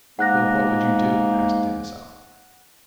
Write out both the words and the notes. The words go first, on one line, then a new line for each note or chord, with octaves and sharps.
"Well, what would you do?" asked Denisov.
G#2 A#3 F#5 F#6 A#6